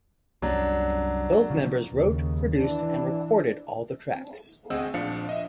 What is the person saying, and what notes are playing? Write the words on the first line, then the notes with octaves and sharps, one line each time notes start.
Both members wrote, produced, and recorded all the tracks.
C2 F#2 F#3 D4
C#3 F3
D#2 C#3
E3 D4
D2 C4 G#4 D#5 F#5 E6
A#1 F3 D4 D5 F5 C#7
D#5 E5